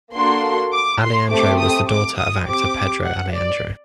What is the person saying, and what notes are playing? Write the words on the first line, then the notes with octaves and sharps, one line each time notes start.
Aleandro was the daughter of actor Pedro Aleandro.
A#3 D4 F#4 A4 C6
D6
C6
A3 C4 G4 D6
D#6
D6
D#6
C4 G4 D6
F#5
D5